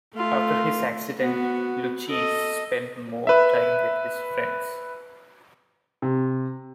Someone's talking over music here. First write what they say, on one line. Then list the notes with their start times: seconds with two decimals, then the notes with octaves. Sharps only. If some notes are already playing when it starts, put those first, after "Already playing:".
After his accident Lucchese spent more time with his friends.
0.15 A3 F4
1.20 B3 F#4
2.08 A4 D#5
3.27 B4 E5
6.02 C3